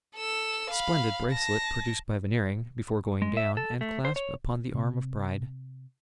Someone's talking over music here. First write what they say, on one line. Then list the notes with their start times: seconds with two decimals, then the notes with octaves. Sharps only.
Splendid bracelet, produced by Veneering before going down, and clasped upon the arm of bride.
0.17 A4 E6
0.70 F5 B5
1.32 A5 A#6
3.22 G#3
3.37 E5
3.57 A4
3.81 A3
4.05 C5
4.16 C#5
4.74 C3